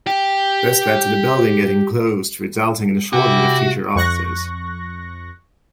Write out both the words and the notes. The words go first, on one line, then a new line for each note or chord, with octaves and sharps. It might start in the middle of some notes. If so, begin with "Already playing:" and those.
This led to the building getting closed, resulting in a shortage of teacher offices.
G4 G5
C3 E4 F#4 G5 D6
F2 C#6 F#6 A#6